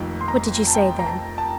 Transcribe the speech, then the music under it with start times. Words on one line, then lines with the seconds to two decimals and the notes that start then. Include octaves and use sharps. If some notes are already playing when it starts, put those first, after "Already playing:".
"What did you say, then?"
Already playing: F1 F2 D#3 A#3
0.21 C6
0.28 A#5
0.67 A5
0.75 G5
0.99 A#5
1.06 A5
1.38 A5